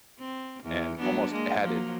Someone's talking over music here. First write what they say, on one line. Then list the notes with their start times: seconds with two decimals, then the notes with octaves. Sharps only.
and almost added,
0.19 C4
0.63 E2
0.98 F#3 B3 D4
1.31 G#3 A#3
1.61 F3 F#3 A#3